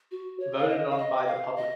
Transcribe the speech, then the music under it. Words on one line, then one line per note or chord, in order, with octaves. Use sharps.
Voted on by the public.
F#4
C#5
F5
D#5
F5
D#5
F5
D#5